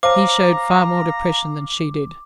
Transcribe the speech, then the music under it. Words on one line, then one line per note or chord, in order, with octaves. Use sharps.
He showed far more depression than she did.
C5 C#5 F5 A5 A#5 D6